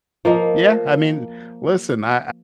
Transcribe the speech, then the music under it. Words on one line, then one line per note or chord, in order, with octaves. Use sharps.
Yeah. I mean, listen. I
F3 A#3 D#5